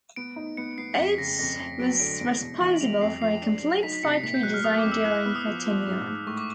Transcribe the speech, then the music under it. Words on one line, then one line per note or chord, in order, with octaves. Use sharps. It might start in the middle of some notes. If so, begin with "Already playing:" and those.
Oates was responsible for a complete site redesign during her tenure.
B3 D7
D#4
B3 C#7
B3 C7
F2 B6
C#3 A#6
F2 A#6
F2
F#3 D7
D3 D7
E2 D7
B2
E3 F#7
G3 F7
F2 C7
F3 C7
D4
F#3
D#4 B6
B6
C3 C#7
C7
A#2 B6
G6
F#3 F#6
F6
A#3 D#6
D6
F2
E6
E4 F#6
F#6
B3 F6
D#6
F3
F3
G#2
G#2
A2 C#6
D6